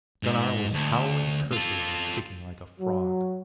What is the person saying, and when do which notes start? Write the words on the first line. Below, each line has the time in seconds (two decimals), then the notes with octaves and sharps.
Gunnar was howling curses and kicking like a frog.
0.23 G#2
0.74 D2
1.52 F4 A4
2.80 F#3